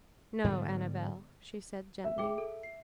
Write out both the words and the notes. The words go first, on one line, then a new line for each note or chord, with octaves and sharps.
"No, Annabel," she said gently.
G#2 D3 G3 B3
E5
G#4 G5 D6
A4
C7